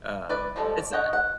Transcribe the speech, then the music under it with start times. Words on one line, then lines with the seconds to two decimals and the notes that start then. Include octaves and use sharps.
um, it's, uh
0.29 B4 D5 E5
0.56 F3 G3 G#3 A4
0.78 D5
0.92 C#5 D#5 F#5 G5
1.13 F#5